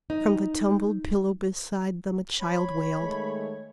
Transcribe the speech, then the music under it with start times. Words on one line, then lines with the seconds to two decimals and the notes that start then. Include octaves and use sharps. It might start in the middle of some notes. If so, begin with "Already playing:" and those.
From the tumbled pillow beside them a child wailed.
0.10 D#4
2.40 C#5 B5
3.00 D#3 G#3 A3